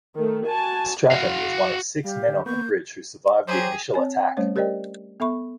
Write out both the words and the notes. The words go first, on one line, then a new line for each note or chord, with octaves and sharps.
Stratton was one of six men on the bridge who survived the initial attack.
D#3 A3
F#4 G#5 A5
F#4 F5
G3 G4 F5
D3
A#3 B3 C#6 G6
F#3 G4 G#4 C5
C4 C#5 G#5
G3 A3 C#4 C5 C#5
G4 A#4 C5 D5 D#5 G5
B3 A4 E5 B5 C#6